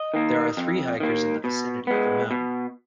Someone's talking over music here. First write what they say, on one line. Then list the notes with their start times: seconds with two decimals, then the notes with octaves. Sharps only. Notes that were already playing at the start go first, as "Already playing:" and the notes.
There are three hikers in the vicinity of a mountain.
Already playing: D#5
0.14 D#3 A#3
0.57 F2
1.00 D#3 A#3
1.44 B2
1.87 G#3 B3
2.31 B2